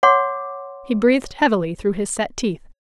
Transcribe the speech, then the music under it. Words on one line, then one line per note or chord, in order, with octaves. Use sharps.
He breathed heavily through his set teeth.
C#5 F#5 C6 D6